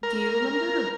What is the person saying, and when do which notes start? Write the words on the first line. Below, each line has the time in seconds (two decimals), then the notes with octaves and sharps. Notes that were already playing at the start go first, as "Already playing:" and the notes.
Do you remember
0.03 A#4